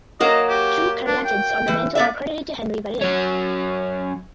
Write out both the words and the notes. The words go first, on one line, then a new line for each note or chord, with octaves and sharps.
Two caryatids on the mantel are credited to Henri Varenne.
F#3 A#3 F#4 D#5
G4
D4
G5
E3
A#3 D5 E5
F#3 C#4